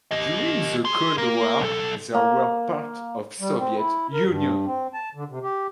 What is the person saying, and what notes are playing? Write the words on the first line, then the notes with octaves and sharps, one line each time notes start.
During the Cold War they were part of Soviet Union.
G4 D#5
G#4 C6
A#3 A#4
B1 A4
A#3
G3
C4
E4
A#4
G2
C4
A5
D3
C3
G4